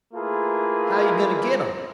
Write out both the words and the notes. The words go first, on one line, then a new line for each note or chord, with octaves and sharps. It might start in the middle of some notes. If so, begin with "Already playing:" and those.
"How you going to get them?"
A3 A#3 E4 F4 G#4 B4